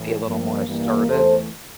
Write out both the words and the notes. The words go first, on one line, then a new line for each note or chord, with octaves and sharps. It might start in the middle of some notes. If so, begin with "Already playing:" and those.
Be a little more assertive
Already playing: A2 E3
G2 F3 A#3
G2 E3 G3 A#3
E2 E3 A3 A4 C5